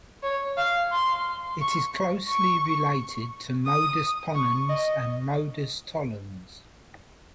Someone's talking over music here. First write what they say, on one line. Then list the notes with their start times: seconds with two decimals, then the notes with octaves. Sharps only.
It is closely related to "modus ponens" and "modus tollens".
0.23 C#5
0.57 F5
0.91 C6
1.61 C#6
2.28 C#6
3.66 D#6
4.34 C#6
4.69 D#5